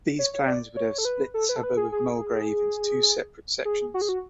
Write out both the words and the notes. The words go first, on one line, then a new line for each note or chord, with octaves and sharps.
These plans would have split the suburb of Mulgrave into two separate sections.
C#5
C#5
D5
C#5
A4
B4
A4
B4
A4
B4
G#4
G#4
G#4
F#4
G#4
F#4